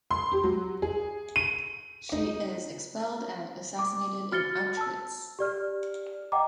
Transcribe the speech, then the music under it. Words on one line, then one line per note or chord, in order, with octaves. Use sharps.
She is expelled and assassinated in Auschwitz.
C6
G4
F#3
G#4
D#7
D#4
D6
F#4 F6 A6 C#7 G7
A5 E6
G4 D5 F6
D#5 F#5 G5 A#5 D6